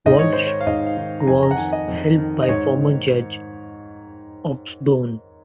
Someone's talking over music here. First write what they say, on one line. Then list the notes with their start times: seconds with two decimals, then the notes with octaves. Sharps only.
Walsh was helped by former judge Osbourne.
0.06 G#2 D#5
0.19 C#5
0.33 D#3 C5
0.47 C#5
0.61 F5
0.67 G#2 D#5
0.87 F5
0.97 D#3
1.20 A#5
1.27 F2 G#5
1.43 A#5
1.51 F#5
1.58 D#3 G#5
1.73 D#5
1.88 F2
2.18 D#3
2.42 D#5
2.49 G#2 C#5
2.79 D#3